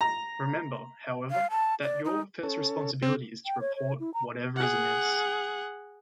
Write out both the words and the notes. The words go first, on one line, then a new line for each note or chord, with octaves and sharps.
Remember, however, that your first responsibility is to "report" whatever is amiss.
A#5
F5
A5
D5
D#4
C#4 A4
C4
G5
C#5
C#5
E4
A#5
G#4 F#5